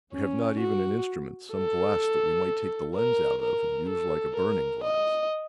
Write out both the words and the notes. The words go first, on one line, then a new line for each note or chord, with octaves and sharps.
"We have not even an instrument, some glass that we might take the lens out of, and use like a burning glass."
C#4
F#4
A4
A#4
A#4
A4
A#4
D#5